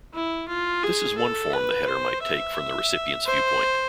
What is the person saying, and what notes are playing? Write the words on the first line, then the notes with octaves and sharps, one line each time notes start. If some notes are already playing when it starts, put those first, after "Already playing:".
This is one form the header might take from the recipient's viewpoint.
E4
F4
G#4
A4
B4
C5
E5
C5